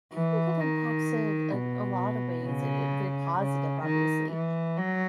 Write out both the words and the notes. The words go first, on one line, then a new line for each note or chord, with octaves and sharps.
I think it impacts it in a lot of ways. It i very positive, obviously.
E3
D#3
B2
C#3
C#3
D#3
E3
F#3